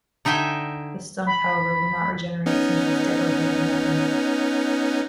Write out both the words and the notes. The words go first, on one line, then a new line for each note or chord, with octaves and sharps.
The stump, however, will not regenerate since it is dead organic matter.
D3 D#4 E5 G5 G#5
B5
B3 C#4 D#4